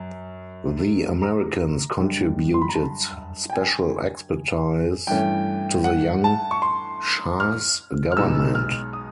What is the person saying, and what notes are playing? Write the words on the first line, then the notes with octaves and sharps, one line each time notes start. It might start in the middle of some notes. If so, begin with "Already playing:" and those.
The Americans contributed special expertise to the young Shah's government.
Already playing: F#2
A#5
F#2 D3 G3
C6
B5
A#5
A5
G5
G#5
G2 E3 A3 C#4 G5
F#5
A5
C#6
C6
F6
F6
B1 B2 G#3 B3 D#4 E6
F6
D#6